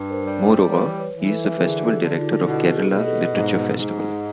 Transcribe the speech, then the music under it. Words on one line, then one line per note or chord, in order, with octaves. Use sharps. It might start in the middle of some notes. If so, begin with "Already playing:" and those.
Moreover, he is the festival director of Kerala Literature Festival.
Already playing: G2
A#4 C5
G3
C5 D5
E3 B4 C#5
B4 C#5
E3
A4 B4
D3 G#4 A#4
G4 A4
D3
F#4
D#4 F4
B2 E4 F#4
A4
F#4 G#4
B2
G4 A4
G#2
G#2